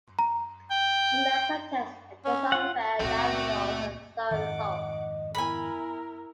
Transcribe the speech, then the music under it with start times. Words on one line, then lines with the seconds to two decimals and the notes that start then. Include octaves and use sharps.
She led protests against unfair landlords and saw results.
0.19 A#5
0.71 G5
2.25 C#4
2.52 F4 F#5
3.00 C#2 A#2 A3 C4 F#4 D5 E5
4.31 F2 G#2 D#3 D#5 F#5 D6
5.35 B3 E4 A#4 G#5 B5